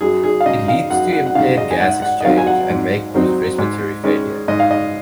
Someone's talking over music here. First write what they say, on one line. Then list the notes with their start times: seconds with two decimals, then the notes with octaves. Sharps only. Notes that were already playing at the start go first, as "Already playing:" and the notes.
It leads to impaired gas exchange and may cause respiratory failure.
0.01 F#2 G#4
0.24 G#4
0.41 F5
0.46 C#3 G#3 D#4 D#5
0.68 F5
0.90 F#2 F#5
1.13 F#5
1.27 F#5
1.35 C#3 G#3 D#4 F5
1.58 D#5
1.71 G#5
1.80 G#2 F#5
2.02 F#5
2.21 D#5
2.25 D#3 F#3 C4 D#4 F5
2.37 G#5
2.47 F#5
2.70 G#2
3.14 D#3 F#3 C4 D#4
3.58 G#2
4.03 D#3 G#3 C#4
4.48 G#2 D#5
4.60 F5
4.71 D#5